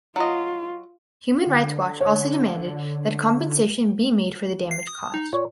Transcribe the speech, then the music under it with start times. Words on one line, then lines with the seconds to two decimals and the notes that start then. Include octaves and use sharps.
Human Rights Watch also demanded that compensation be made for the damage caused.
0.16 F#3 F4 D#5
1.47 D3
2.00 C#5
4.71 C7
4.87 D#6
5.14 D#4
5.33 A#2 C#5